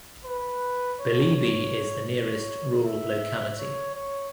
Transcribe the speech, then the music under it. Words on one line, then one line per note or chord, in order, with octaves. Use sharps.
Belebey is the nearest rural locality.
B4
C#5
C#5
C#5
E5
C#5
C#5